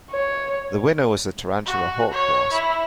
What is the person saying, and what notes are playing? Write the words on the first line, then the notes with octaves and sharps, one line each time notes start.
The winner was the tarantula hawk wasp.
C#5
F#4
C#5
E4